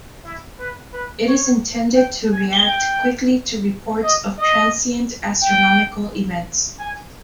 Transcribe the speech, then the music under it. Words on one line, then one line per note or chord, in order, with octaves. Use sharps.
It is intended to react quickly to reports of transient astronomical events.
E4
B4
B4
C#5
G5
G#5
G5
D#5
D#5
G5
G#5